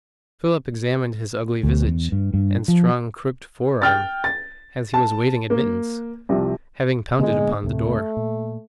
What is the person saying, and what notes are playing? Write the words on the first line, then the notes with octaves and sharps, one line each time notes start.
Philip examined his ugly visage and strong crooked fore-arm, as he was waiting admittance, having pounded upon the door.
D2
E2
G2
G2
F3
G5 F6 A6
A6
A5
A#3
C2 C3 F3
A#2 D3 G#3 B3
D2 A2 C3 A3
A#2